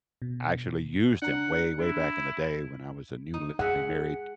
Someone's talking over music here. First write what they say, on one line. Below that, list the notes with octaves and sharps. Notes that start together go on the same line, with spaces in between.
actually used them way, way back in the day when I was a newly married
B2
D4 F#5 A#5
E4
D#4
G#3 E5 F#5